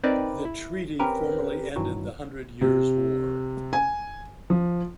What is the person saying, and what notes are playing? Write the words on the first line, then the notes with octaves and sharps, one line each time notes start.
The treaty formally ended the Hundred Years' War.
C4 D#4 A#4 B4 D5
E4
C4 C#4 G4 A#4 B4
G2 D#3 E3 F#3
C3
G#5
F3